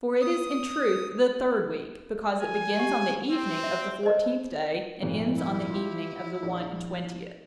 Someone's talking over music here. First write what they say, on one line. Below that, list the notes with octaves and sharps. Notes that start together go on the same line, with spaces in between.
For it is in truth the third week, because it begins on the evening of the fourteenth day, and ends on the evening of the one-and-twentieth.
D#6
G#5
G4 F#5
C4
E5
C5 D#5
G#1 F2 A#2
E4
F4 G4
A#1